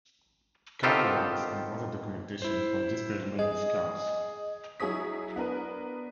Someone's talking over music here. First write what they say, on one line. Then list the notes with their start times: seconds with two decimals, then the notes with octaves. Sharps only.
Catalogs and other documentation from this period may be scarce.
0.83 D#3 B3 C4 F4 G4 A4
2.42 E4 C5
3.39 G#4 D#5
4.80 F#3 E4 G#4 C#5 D#6 B6
5.36 B3 D4 A#4 B4